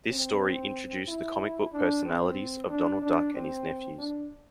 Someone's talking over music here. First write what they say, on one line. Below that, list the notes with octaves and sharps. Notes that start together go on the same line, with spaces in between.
This story introduced the comic book personalities of Donald Duck and his nephews.
C4
E4
D4
C4
D4
D4
C4
D4